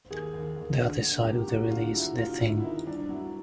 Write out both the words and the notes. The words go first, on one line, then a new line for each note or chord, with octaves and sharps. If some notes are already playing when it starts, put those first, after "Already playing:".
The other side of the release, "The Thing".
D#2 G#4
D#2
D#2
D3
D3
F#3 G4
F#3 F#4
D3 F4
F#3 E4
D3 F4
D3 E4
E4
D#2 D#4
G2 D4
F#3 E4